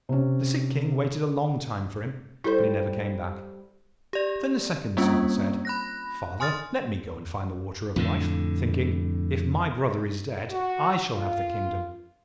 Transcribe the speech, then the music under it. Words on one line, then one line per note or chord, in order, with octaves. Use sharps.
The sick King waited a long time for him, but he never came back. Then the second son said, 'Father, let me go and find the Water of Life,' thinking, 'if my brother is dead I shall have the kingdom.'
C3 C#4
G3 E4 A4 C5
G4 D5
G3 A#3 C4 C#4 F4
B5 F#6 A#6
G#5 C6 D#6 F6 A6
F2 A2 D3
F#4
F4